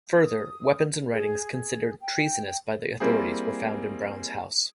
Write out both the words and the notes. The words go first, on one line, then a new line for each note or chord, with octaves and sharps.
Further, weapons and writings considered treasonous by the authorities were found in Brown's house.
D#6
G#4
G#4
G5
G3 A#3 C4 E4 G#4